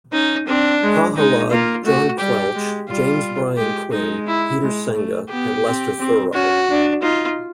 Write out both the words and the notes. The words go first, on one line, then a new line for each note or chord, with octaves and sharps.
Prahalad, John Quelch, James Brian Quinn, Peter Senge, and Lester Thurow.
C#4 D#4
C4 D4
G#3
G#3 D#4
A#3 F4
A3 F#4
G3 G4
G#3
G3 F4
G#3 G4
G#3 D#4
E4
G#3
A3
B3 G4
C4
C4
C#4 F#4
D4
D#4 F4